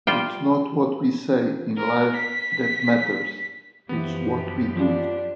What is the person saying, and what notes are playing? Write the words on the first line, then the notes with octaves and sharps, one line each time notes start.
It’s not what we say in life that matters. It’s what we do.
G3 F4 G5
A#4
B6
F#2 E3 F3 B3 G4
D4 F4